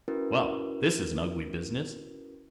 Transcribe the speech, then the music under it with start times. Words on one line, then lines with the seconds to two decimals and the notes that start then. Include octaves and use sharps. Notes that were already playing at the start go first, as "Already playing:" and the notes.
'Well! this is an ugly business!
0.08 C#4 E4 F#4 A#4 B4